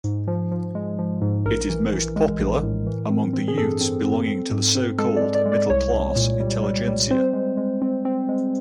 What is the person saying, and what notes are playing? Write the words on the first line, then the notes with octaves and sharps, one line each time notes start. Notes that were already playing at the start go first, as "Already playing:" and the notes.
It is most popular among the youths belonging to the so-called "middle-class intelligentsia".
G#2
F3
F3
G#3
F3
G#2
A#1 A#4
E3
E3
G#3
A#1
A2
E3
C4
C4
G#4
G2 A4
C4
C4
C4
G#2
C4
G#3 A4
D5
G#3
D5
G#3
D5
C2 C#5
C2
A#2
G3
G3
G3
C4 C5
G#3
G#3
C4
C4
G#3